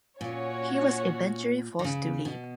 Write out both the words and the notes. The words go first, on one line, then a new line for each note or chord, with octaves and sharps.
He was eventually forced to leave.
A#2 C#4 F#4 C#5
D#3
C#3
B2